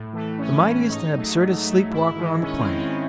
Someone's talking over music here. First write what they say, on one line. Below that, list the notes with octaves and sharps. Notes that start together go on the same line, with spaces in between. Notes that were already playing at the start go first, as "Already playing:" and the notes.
The mightiest and absurdest sleep-walker on the planet!
Already playing: A2
E3 A3
A2 C#4
E3 A3
G#2 D#4
F#3 A3
G#2
F#3 A3
G#2 E4
D#3 G#3
G#2 C#4
C4
D#3 G#3
C#4